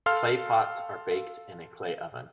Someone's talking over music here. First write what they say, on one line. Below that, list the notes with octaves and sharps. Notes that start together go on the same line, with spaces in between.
Clay pots are baked in a clay oven.
A4 F5 C6 F6